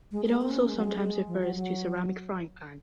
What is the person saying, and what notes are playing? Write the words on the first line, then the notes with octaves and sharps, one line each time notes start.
It also sometimes refers to ceramic frying pan.
G#3
A#3
C4
C#4
A#3
G#3
F#3
G#3
F3
F#3
F#3